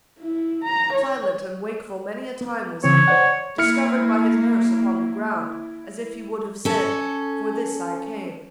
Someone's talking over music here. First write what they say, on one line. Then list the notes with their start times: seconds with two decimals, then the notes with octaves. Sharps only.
Silent and wakeful many a time was he Discovered by his nurse upon the ground, As if he would have said, 'For this I came.'
0.19 E4
0.64 A#5
0.93 C#5
2.41 B3
2.84 C#3 E3 C4 C#5
3.08 C5 D5 F#5
3.58 A#3 E4 F6 C#7
6.65 C#4 A4